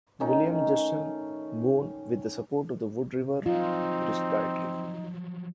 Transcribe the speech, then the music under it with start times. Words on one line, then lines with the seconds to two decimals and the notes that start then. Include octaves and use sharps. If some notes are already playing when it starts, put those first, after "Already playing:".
William Judson Boone with the support of the Wood River Presbytery.
0.20 D#3 A3 C#4 D#4
3.46 F3 F#3 C4 D#4 F4